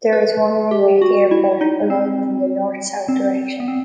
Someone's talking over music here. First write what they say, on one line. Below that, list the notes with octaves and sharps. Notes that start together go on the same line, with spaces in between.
There is one runway at the airport, aligned in the north-south direction.
B4
G4
F#4
E4
D#4
C4
C4
B3
C4